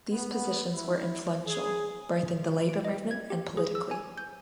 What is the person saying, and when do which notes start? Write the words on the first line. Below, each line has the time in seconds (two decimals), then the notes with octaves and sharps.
These positions were influential both in the labour movement and politically.
0.11 B3
0.71 E4
1.47 G#4
2.69 D7
2.85 D#5
3.11 G#6
3.30 G4
3.57 G#4
3.75 E6
3.91 G#5
4.18 G6